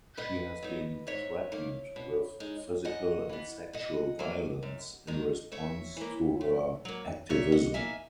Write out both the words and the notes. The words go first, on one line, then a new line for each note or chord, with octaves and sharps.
She has been threatened with physical and sexual violence in response to her activism.
B2 B4 D#5
F#3 B3 D#4
G#2 C#5 E5
D#3 A#3
B2
G#3 D#4
F#2 D#5 F#5
E3 B3
B2 D#5 F#5
F#3 A#3
F#2
D#3 G#3 D#4
C#3 C#5 E5
E3 A#3
C#3
F#3 A#3
A#2 C#5 E5
D#5 F#5
A#3 D#4 E5 G#5